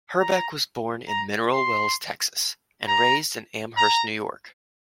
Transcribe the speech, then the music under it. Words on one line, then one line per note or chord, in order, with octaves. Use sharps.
Herbeck was born in Mineral Wells, Texas, and raised in Amherst, New York.
A#5
A#5
C6
A#5
A#5